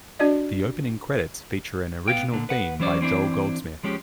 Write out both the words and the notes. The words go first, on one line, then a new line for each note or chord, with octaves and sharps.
The opening credits feature an original theme by Joel Goldsmith.
D4 F#4 D5 D#5
B3 F5 G5
A#2 D3
B4 F#5
E3 F#3 C#4 C5 D5
E3 C4 D4 E4
F3 G#3 C#4 G4